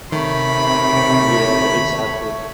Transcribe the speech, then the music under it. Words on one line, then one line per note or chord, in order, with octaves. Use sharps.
Yeah, exactly.
C3 D#3 A3 C#5 B5